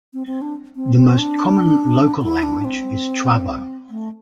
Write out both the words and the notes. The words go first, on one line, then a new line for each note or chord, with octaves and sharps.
The most common local language is Chuabo.
C4
C4
D4
C4
C4
D4
E4
D4
C4
A3